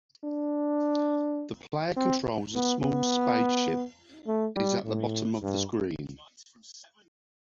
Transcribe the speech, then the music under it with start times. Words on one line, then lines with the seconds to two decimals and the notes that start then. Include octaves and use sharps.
The player controls a small spaceship is at the bottom of the screen.
0.24 D4
1.97 C4
2.55 B3
2.83 B3
4.27 A3
4.56 G3
4.85 A2
5.42 G2